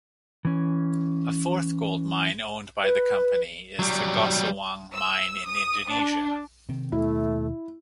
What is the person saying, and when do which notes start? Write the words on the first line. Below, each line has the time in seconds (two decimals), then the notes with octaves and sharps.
A fourth gold mine owned by the company is the Gosowong Mine in Indonesia.
0.45 E3 C#4
2.83 B4
3.79 F#3 G3
4.93 E6
5.46 D#6
5.90 D4
6.69 C3 D#3 C4
6.92 D#2 B2 A3 E4